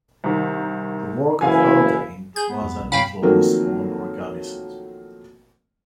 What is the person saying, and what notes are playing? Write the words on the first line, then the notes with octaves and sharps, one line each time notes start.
The work of Haldane was an influence on organicism.
C2 D#3
F#1 E3 E4 F5 G#5
G#4 G6
B3
F2
B1
F#2 F#3 F5 G5 B5
D#3 F3 F#3 A3 A#3 C4